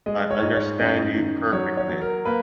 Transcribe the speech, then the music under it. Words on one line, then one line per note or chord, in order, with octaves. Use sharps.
I understand you perfectly.
G#3 D#5
C#5
G#2 D#5
C#5
F#2 D#5
D#3
F#3 C#5
C#5
F#3
A#4
A#3 B4